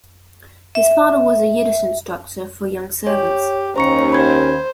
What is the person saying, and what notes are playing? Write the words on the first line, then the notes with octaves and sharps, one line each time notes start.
His father was a Yiddish instructor for young servants.
E5
G4 C#5
D#2 C#4 C5 A#5 C#6 C#7
C5 B5 G#6